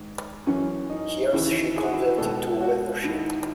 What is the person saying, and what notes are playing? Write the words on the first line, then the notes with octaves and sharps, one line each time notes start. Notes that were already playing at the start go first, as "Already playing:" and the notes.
Here she converted to a weather ship.
Already playing: G#2 D#3
F#2 E3 C#4
D#4
D#2 C#3 E3 E4
G#4
F#4
E4
F#4
C#2 B2 A4
F#4
D#2 D#3 E4